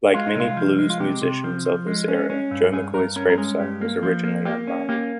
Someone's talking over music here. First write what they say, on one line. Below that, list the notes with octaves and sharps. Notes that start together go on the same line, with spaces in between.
Like many blues musicians of his era, Joe McCoy's grave site was originally unmarked.
G#3 F4
D#4
C2 F4
F3
G#3
F4
C3 G4
C3
F3
F3
G#3
C#4
C#4
G2
G2 G#4
G2 A#4
C#4 A#4
A#4
G#3 G#4
G2 G4
A#3
F3
A#3
A#3 G4
C#4
A#3 G4